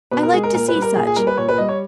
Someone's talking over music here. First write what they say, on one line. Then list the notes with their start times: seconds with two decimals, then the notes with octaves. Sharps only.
I like to see such.
0.11 B2 B4
0.23 A#4
0.33 G#3 G#4
0.43 A#4
0.54 A#2 A#4
0.68 B4
0.75 G3
0.82 A#4
0.95 A#2 G#4
1.07 G#4
1.16 G3 A#4
1.27 B4
1.37 A#2 C#5
1.49 B4
1.58 G3 D#5
1.69 C#5